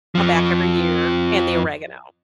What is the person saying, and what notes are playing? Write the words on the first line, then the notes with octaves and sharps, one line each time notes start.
come back every year, and the oregano,
F2 F3